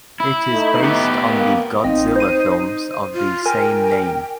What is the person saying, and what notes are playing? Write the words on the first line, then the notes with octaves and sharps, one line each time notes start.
It is based on the Godzilla films of the same name.
E4
A3 D#4
B3 G4
A#3
A1 C4 D#4 D#5
C5 D#7
F4
A#4 G5 G#5